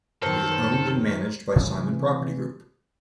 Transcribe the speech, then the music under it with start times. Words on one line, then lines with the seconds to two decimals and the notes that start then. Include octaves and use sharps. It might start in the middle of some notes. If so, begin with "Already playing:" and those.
It is owned and managed by Simon Property Group.
0.22 F#2 D#3 A4 A#4 C5
1.56 C3 E3 G#3 A3